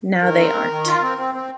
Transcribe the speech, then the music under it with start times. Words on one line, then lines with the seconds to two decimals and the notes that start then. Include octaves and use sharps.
Now they aren't.
0.22 D#3 A#4
0.39 C4
0.55 D#3
0.70 D#3
0.87 F4
1.02 C4
1.18 C4
1.35 C4